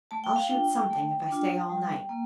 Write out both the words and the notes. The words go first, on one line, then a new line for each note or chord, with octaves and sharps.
I'll shoot something, if I stay all night.
A3 A5
G5
F5
D4 F4 G5
A3
D4 F4
G3
A#3